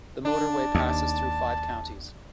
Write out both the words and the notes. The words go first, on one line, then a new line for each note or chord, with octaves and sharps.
The motorway passes through five counties.
D4 A5
D#2